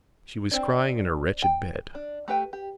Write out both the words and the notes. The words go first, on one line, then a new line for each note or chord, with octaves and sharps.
She was crying in her wretched bed.
C4 D4
G5
D4
A3 G4 B4 G5
G4